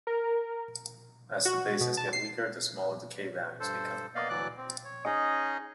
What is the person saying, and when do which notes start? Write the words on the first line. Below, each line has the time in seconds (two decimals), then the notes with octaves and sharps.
As the bases get weaker, the smaller the K values become.
0.07 A#4
1.45 F#4
1.81 B2
1.97 A5
2.13 C7
3.60 G2 A4 C5
4.15 A#3 B3 D5 D#5 F5
4.29 D2 E3 F#3 D5 D6 F#6
4.57 C4
4.84 C#5
5.05 C#4 D#4 G#4 D#5